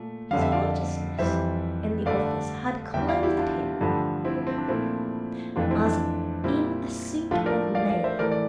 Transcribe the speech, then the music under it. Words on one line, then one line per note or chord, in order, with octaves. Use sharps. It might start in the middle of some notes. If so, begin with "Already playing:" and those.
His righteousness in the office had clothed him as in a suit of mail.
Already playing: A#2 A3
F2 D3 G3 F5
E5
D5 F5
F2 E3 G3 C5 E5
G2 D3 A3 D5 F5
E2 E3 G3 E5 G5
D5 F5
E4 G4
D4 F4
G2 D3 F3 A3
C4 E4
C4
C4
D4
A#2 F3 A3 C4 E4
F2 E3 A3 D4 F4
C4 E4
D4
A#2 G3 C4 E4
A2 F3 A3 D4 F4
A#4 D5
D5 F5
D5 F5
C5 E5
A2 E3 A3 A#4 D5
D5